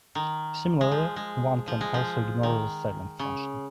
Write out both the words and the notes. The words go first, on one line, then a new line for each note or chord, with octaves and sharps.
Similarly, one can also ignore the ceiling function.
D#3
G#3
F3
G#3
F3
G#3
F3
D#3
C#3